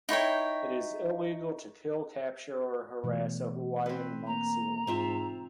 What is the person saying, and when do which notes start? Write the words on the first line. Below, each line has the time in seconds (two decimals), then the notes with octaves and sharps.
It is illegal to kill, capture or harass a Hawaiian monk seal.
0.09 D#4 E4 C#5 G5
3.04 B2 E3 A3
3.86 C4 B4
4.27 A#3 A#5
4.87 G#2 C4 F4 E5